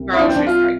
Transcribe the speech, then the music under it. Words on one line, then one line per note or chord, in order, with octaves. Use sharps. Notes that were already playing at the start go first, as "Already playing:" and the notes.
grocery store
Already playing: C2
E4
D4
C4
D4
F4